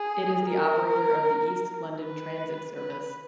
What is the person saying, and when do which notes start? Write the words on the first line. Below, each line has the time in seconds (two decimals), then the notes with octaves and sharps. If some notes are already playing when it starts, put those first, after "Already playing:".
It is the operator of the East London Transit service.
Already playing: G#4
0.46 A#4
1.98 B4
2.74 B4